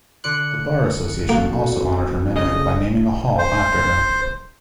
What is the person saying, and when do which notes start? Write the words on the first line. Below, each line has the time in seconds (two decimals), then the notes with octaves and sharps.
The Bar Association also honored her memory by naming a Hall after her.
0.24 D3 D5 C6 F#6 C#7
1.29 A#3 C4 F#4 A4
2.36 C#3 A3 D#5
3.38 C5